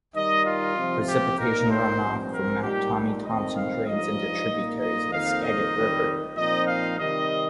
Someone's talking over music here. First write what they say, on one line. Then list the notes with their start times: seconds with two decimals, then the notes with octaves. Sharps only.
Precipitation runoff from Mount Tommy Thompson drains into tributaries of the Skagit River.
0.15 D#3 G3 D#4 D#5
0.46 F4
0.77 C3 F3 C4
1.08 G4
1.39 A#2 A#3 D#4 A#4
1.70 C5
2.01 G2 F3 C4
2.32 A#4
2.63 A#2 G3 D#4 G4
3.25 F2 D#3 C4 D#4 D#5
3.57 F5
3.87 G2 F3 D#4 D#5
4.50 A#2 A#3 D#4
4.81 D#5
5.12 F2 D#3 A#3 D#4 F5
5.43 D#5
5.74 F2 D#3 G3
6.36 A#2 F3 C4 D#4 D#5
6.67 F5
6.98 C3 D#3 G3 D#5